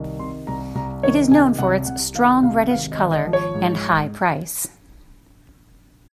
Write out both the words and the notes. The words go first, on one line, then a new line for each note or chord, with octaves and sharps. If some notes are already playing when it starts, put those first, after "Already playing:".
It is known for its strong reddish color and high price.
Already playing: C2 D#3
C3 C6
C2 A#5
C2 A#5
D#3 C#5
C3 G#5
C2 F#5
C2 F#5
D#3 F5
C3 F5
G#1 F5
D#5
G#1
D#5
F3
C#5
G#2